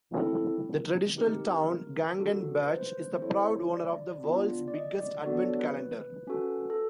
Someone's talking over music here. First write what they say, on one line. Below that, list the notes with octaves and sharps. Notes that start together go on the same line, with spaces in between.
The traditional town Gengenbach is the proud owner of the world's biggest advent calendar.
C4 E4 A4
C4 D#4 G4 A#4
D4 F#4 A4
B4
C5
C5
C4 E4 A4 C#5
D5
B3 D4 F4
D5
D#5
D5
B3 D4 F#4 A4 D5
C#5
B4
C#4 F#4 A4
A4